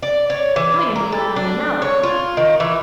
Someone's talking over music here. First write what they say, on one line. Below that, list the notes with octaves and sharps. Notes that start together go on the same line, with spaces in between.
I am glad I am out of it.
D5
C#5
E3
A#4
A4
D4
C#5
F4
D#3
E3